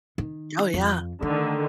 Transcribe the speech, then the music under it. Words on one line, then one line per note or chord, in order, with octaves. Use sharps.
Oh, yeah.
D#3
F2
D3 D#3 A3